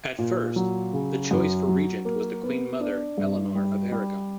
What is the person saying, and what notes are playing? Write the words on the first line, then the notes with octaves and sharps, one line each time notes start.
At first, the choice for regent was the Queen mother Eleanor of Aragon.
A#2
F#3
C#3
F#2
F#3
A#3
B3
D4
G2
G3
G3